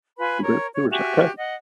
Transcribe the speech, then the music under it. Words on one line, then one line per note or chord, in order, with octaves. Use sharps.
The Great Believers, okay.
F4 B4 G#5 B5
A#4 C#5
C#5
F#4 G4 E5 G#5
D#5 F#5